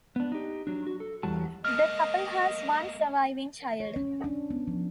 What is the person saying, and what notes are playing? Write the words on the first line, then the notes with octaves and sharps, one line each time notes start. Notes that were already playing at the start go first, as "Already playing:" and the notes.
The couple has one surviving child.
B3 D4
D#4 G4
F#3 D4
F#4
A4
E2 E3 F#3 G3 F#5 A5
A3 A#3 D#5 F6
C#5
C#4
D4
B3
F3